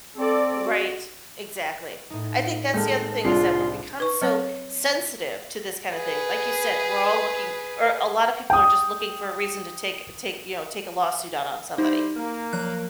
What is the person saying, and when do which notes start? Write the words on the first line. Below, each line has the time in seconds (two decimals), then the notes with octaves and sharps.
Right. Exactly. I think that's the other thing is that we're become so sensitive to this kinda thing, like you said, we're all looking or a lotta people are just looking for a reason to take take, you know, take a lawsuit out on somebody.
0.16 C4 A4 D5
0.63 F#4
2.10 A2 D#4
2.74 G#1 G#3 A#3 A4 F6 G6
3.24 C2 C4 D4 F4 G#4 C7
4.00 B4 C#6
4.22 F#3 C4 C#5
5.95 G#4 B4
8.50 G5 D#6
11.78 G3 D#4 E4 C5
12.16 A#3
12.53 F3 F#3 F#6